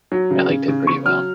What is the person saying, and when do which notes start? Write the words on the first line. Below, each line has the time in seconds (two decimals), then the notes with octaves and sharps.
I liked it pretty well.
0.12 F#3
0.31 C#3
0.49 C#3
0.68 C#3
0.87 C#3 C#6
1.06 F#3 F6